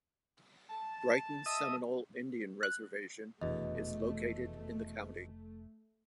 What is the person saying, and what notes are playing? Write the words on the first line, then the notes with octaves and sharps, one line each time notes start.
Brighton Seminole Indian Reservation is located in the county.
A5
D#5 E5 D#6
F#6
F1 E2 B2 A3 D4 D#5